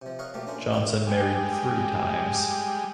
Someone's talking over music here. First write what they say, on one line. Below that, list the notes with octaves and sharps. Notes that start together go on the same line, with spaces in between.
Johnson married three times.
C3 F3
A#4 C#5 D#5 F5 F#5
B2 F3 A3 A#3 G4
A#3 C#4 D4 F#4 A#4 C5
A#2
A#1 C4 E4 F#4 C5 C#5
G3 G#3